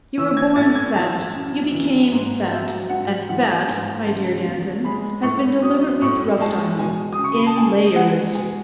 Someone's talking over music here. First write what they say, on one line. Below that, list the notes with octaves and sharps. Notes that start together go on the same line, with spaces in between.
You were born fat; you became fat; and fat, my dear Danton, has been deliberately thrust on you--in layers!
E3 E6
G#6
A2 A6
G#6
E3 A5
F#2
E3
G#2
F#3 E5
G#2 F#5
E3 F#5
G#2 G#5
C#3 A5
E2
G#3 B5
A2 C#6
F#3 D#6
A2 C#6
G#3 A5
B2 G#5
D#6
C#3
C#6
B5
A5
F#2 G#5
G#3 F#5
B2 G#5